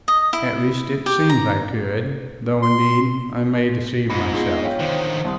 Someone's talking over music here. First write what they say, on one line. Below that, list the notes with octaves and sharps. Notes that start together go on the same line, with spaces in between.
At least, it seems I could, though indeed I may deceive myself.
D#5
E4
G4
A#5
C6
G#2 F4 B5 A#6
B3 D4 F4 G#4
C#5 F5 G5
D3 D#3 C5
C2 A5 C6 D#6